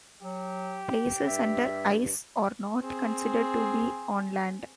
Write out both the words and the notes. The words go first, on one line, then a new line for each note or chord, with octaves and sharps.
Places under ice are not considered to be on land.
F#3 G4
G2 E5
C4 G#4